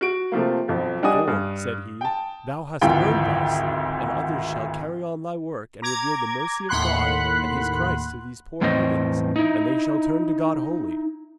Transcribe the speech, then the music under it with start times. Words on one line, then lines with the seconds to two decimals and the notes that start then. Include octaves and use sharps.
'For,' said he, 'thou hast earned thy sleep, and others shall carry on thy work and reveal the mercy of God and his Christ to these poor heathens, and they shall turn to God wholly.
0.01 F#4 D7
0.32 C3 F3 A3 A#3
0.68 B1 F2 F3
1.03 G3 D4 D#5 F#5 G#5 D#6
1.27 G2
2.01 G5 A5
2.81 G#1 D2 E3 F4 G5
5.82 A#5 D6 G#6
6.69 D#2 A2 F#5 B5 C6 F#6
8.61 E2 A2 C4 C5 D#5
9.36 D#4 E4